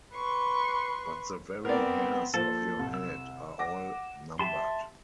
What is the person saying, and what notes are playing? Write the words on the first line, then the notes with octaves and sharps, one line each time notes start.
But the very hairs of your head are all numbered.
B4 C6 C#6
B3 C4 A#4 D5
A#2 F3 A4 C5
C2
E6
F#5 D6 A#6
G4 E5 A5 C6